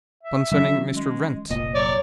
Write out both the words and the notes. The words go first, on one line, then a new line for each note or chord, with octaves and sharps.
"Concerning Mr. Wrent."
E5
D#3 F#3 C#4 E5
G#3
F1 A#2 D#5
F#3 C#5 D5